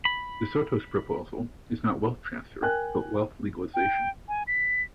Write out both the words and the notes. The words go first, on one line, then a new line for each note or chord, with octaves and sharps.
De Soto's proposal is not wealth transfer, but wealth legalization.
B5
A#4 G5 G#5 F#6
G5
G#5
B6